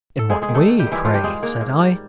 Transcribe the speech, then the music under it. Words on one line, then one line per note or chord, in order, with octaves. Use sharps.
'In what way, pray?' said I.
A4
G#2 G#3 G#4
G#3 G#4
D#3
A3 A4
G#2
G3 G4
D#3
E3 E4
D#3 F3 F4
G3 G4
G#2 G#3 G#4
G#2 A#3 A#4
G#2
G3